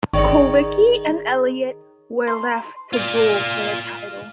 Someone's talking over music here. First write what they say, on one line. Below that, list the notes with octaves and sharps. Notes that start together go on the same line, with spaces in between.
Kulwicki and Elliott were left to duel for the title.
G#1 D#3 G#4 C#5 D5 C#6
C6
F4 D5